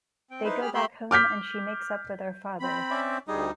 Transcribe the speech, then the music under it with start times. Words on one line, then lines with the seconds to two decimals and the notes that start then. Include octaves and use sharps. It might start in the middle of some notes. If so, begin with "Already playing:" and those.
They go back home and she makes up with her father.
0.31 C4 G5
0.44 D#4 E4 B4 C5
0.61 G4 G#4 B5 F6
0.74 A3 G4 E5 B5 C6
1.11 D6 F6 G6 B6
2.60 C4 B5
2.91 C#4 D5 E5
3.28 D2 G3 D#4 G#4